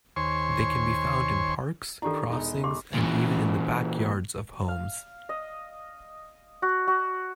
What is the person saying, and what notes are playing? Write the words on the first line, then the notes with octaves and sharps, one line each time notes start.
They can be found in parks, crossings, and even in the backyards of homes.
D#2 C5 C#5 G#5 C6 C#6
D#3 D4 E4 G4 A4
E1 D#4
G4 C6 D6
A#2 E3
F5
D#5
F#4
F#4